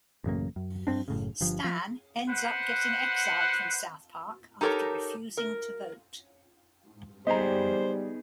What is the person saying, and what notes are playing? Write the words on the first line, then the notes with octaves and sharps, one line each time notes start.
Stan ends up getting exiled from South Park after refusing to vote.
A1 F#2 C#3 A#3
F#2
G2 C4 D4
F#1 A2 C#3
G1 G2 F3
F3
B4 C5 F#5
D#4 G4 A4 A#4 C#5 A#5
A#4
G3 B3 D#4 G#4 C5 D#5 A#5